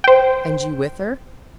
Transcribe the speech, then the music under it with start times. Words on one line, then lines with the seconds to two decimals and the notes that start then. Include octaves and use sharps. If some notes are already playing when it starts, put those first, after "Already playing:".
"And you with her?"
0.04 C5 G5